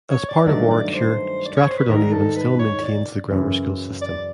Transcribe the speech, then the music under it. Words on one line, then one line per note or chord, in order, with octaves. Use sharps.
As part of Warwickshire, Stratford-on-Avon still maintains the grammar school system.
C#5
D5
G2 D#3 F#3 A3 D4 D5
D5
C5
D5
C#5
C5
B4
G#2 D#3 G3 A#4
A4
B4
C#5
D5
F#2 C#3 E3
D5